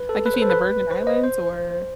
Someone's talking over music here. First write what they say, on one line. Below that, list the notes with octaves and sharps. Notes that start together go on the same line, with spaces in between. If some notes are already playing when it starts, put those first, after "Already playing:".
Like is she in The Virgin Islands or
Already playing: B4
A4
B4
C5
A4
B4
C5
D#5
C5